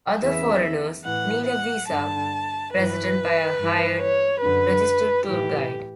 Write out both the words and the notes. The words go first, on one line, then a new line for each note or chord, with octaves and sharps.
Other foreigners need a visa presented by a hired registered tour guide.
E2 C#3 E3 E5
A2 E3 F#5
F#5
G2 D3 A5
G2 E3 B4
G2 E3
C#5
F#2 D3 B4
A2 E3 G4